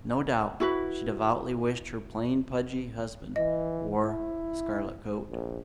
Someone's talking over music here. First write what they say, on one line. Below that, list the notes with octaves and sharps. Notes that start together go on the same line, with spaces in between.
No doubt she devoutly wished her plain pudgy husband wore a scarlet coat.
E4 F#4 B4
E3 D#5
E4
A#1